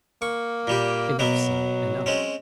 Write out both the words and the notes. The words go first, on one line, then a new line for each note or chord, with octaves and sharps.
Enough, sir, enough.
A#3 C#6
A#2 G3 G4
B2 F#3 A#3 B3
G#3 C4 C#4